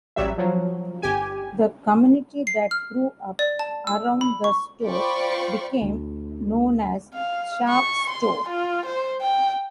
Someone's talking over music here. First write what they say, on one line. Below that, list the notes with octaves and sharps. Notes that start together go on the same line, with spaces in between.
The community that grew up around the store became known as Sharpe's Store.
A1 F#3 G3 E5
F3 F#3
G1 G4 G#5
C7
F6
D5
A5
E6
B5
C#6
F4 C5 D5 G5 B5 C#6
D2
F5
C#6
C6
F4
C5
G5